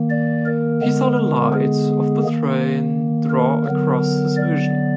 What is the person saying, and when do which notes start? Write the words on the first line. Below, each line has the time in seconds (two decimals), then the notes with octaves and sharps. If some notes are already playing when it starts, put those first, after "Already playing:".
He saw the lights of the train draw across his vision.
Already playing: D#3 A#3
0.10 D5
0.45 A#4
0.81 D3 G#3 B3
1.16 A#4
1.53 G#4
2.24 D#3 A#3
3.29 A#4
3.65 D3 F#3 B3
4.37 D5